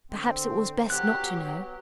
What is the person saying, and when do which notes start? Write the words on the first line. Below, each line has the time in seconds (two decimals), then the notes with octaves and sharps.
Perhaps it was best not to know.
0.11 D3 C4
0.90 F#3 B3 G4 F#6